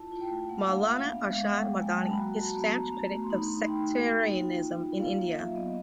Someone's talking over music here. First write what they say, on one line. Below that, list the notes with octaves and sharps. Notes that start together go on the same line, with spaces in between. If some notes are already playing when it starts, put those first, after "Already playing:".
Maulana Arshad Madani is a stanch critic of sectarianism in India.
Already playing: E4 F4 A5
F4
G5
A3
A#3 F#5
D4 F5
D4 E5
B3 F5
G#3 E5
F5
G#3 F#5
F#3 G5
A#3 G#5
F#3 A5
B5
F#4 A#5
F#4 A5
B3 A#5
A3
D4
A3
C6
D#4 B5
D#4 B5
D#4 G5
F#4
A#3
D#4
F4
F4
F4
A#3 F5
A#3
E5
F#3
B3 D#5